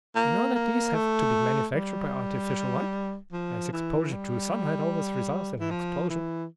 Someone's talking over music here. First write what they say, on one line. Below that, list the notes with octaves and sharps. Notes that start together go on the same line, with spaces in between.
You know that these have to be manufactured by artificial light, as exposure to sunlight always results in an explosion.
A#3
A#3
A3
G3
F3
E3
G3
E3
F3
E3